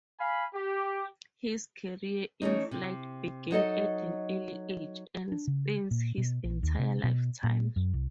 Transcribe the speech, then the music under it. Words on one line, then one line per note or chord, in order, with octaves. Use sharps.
His career in flight began at an early age, and spans his entire lifetime.
F5 G#5 B5
G4
E3 A3 C#4 D#4
C3
F#3 D#4 A4 D#5
D4
C#3
A#2
B2
A#1
D#2
C3
B2
A#2
F#2
C2